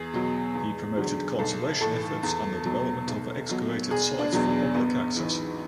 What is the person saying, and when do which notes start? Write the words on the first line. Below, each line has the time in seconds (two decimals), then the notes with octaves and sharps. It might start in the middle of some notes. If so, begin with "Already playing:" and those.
He promoted conservation efforts and the development of excavated sites for public access.
Already playing: E2 G#4
0.13 B2 F#3
0.55 E2
0.97 D3 F#3
1.39 B1 A4
1.81 A2 E3 A4
2.23 E2
2.64 B2 F#3
3.07 B1
3.49 B2 F#3
3.90 E1 G#4
4.19 D4
4.32 E2 B2 F#3
4.74 A1 B3
5.16 G#2 E3